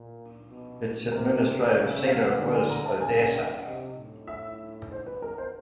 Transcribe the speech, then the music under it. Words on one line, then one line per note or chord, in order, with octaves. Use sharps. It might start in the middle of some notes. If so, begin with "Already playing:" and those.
Its administrative centre was Odessa.
Already playing: A#2
B2
C3 A#4
C#5
C#3 D5
E5
F5
F#5
D3
G#5
A#5
A5
C#3 G#5
G#5
G5
F#5
C3 D#5
A2
E5
C5
B4
A#4
C5